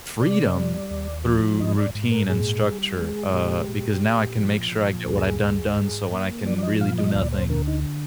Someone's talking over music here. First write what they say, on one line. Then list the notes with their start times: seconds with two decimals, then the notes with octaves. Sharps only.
freedom through routine and structure, uh, because now I can make sure I get what I done done, so when I can really do nothing,
0.21 C3 D5
0.56 G3
0.91 D#2
1.26 F3
1.60 G#2 D#5
1.78 D5
1.95 G#2
2.12 A#4
2.30 A#2 G#4
2.65 G3
2.99 G#3 G#4
3.33 A#2 G4
3.68 A#2
4.03 A#2
4.38 F3
4.72 A#2
5.07 D2 G#4
5.42 D2
5.76 G#2
6.12 A#3
6.46 F3 D5
6.58 D5
6.63 D#5
6.81 A#2 F5
6.98 D#5
7.15 D2 D5
7.32 C5
7.50 D3 A#4
7.67 D#4